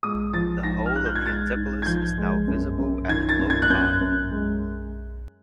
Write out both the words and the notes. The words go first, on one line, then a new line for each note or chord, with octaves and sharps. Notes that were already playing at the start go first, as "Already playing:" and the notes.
The hull of the Antipolis is now visible at low tide.
G#3 D#6
F3 A6
G#2 A#6
F6
G#2 F#6
G6
G#6
G#3 A6
G#2
G#6
F3 G6
G#3
F#2
F#2
D#3 G#6
A6
F#2
G#6
F#6
F#2 G6
F#2
G#3